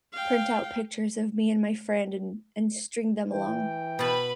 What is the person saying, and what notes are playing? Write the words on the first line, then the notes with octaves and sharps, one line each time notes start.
print out pictures of me and my friend and and string them along
F5 G5
E3 G5
B2 B4 A5 B5